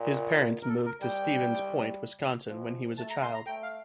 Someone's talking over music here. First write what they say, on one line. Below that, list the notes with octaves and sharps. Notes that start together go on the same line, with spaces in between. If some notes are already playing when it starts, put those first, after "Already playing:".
His parents moved to Stevens Point, Wisconsin when he was a child.
Already playing: A#2
A#4
A4
A#4
G3 G5
F3
A3 A5
A#5
C6
A#5
A3 G5
F5